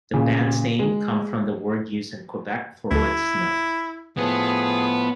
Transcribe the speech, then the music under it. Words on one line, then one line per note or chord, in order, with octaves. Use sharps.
The band's name comes from the word used in Quebec for wet snow.
A#2 C#3
G#3
D2 E4 A4
A2 F3 B3 G#4